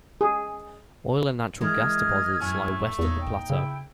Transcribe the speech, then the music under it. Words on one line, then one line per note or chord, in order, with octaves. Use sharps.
Oil and natural-gas deposits lie west of the plateau.
G#4
E3 G#3 A#4 D#5 F6 G#6
F#2 A2 A3 G#5
E2 A#2 D#4 C#5 D6
G5
C#3 E4